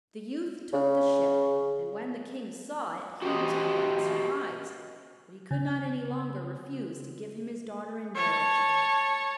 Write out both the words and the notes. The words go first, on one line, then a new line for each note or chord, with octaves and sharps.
The youth took the ship, and when the king saw it he was quite surprised; but he could not any longer refuse to give him his daughter in marriage.
C#3
F#4 G4 A#4 C5 D#5
C#3
C#5 A5